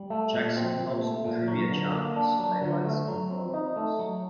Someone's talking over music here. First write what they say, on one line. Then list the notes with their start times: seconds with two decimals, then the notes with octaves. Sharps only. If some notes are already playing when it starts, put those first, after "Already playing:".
Jackson helps with trivia challenges, highlights and phone calls.
Already playing: G3
0.10 A3
0.33 A#2
0.57 C4
0.79 A#2
1.02 A3
1.25 A#2
1.48 F#3
1.70 D3
1.93 A#3
2.16 D4
2.39 F#3
2.62 D3
2.85 A3
3.08 F#3
3.31 C4
3.54 D#4
3.76 A3
3.99 F#3